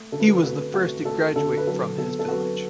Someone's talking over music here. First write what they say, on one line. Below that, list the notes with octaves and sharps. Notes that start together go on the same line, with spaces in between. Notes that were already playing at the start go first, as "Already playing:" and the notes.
He was the first graduate from his village.
Already playing: A3
D3 A4
B4
A4
A3 F#4 B4
A3 F#4
A3 A4
D3 A4
B4
F#3 A4
B3 A4
A4
F#3 F#4 B4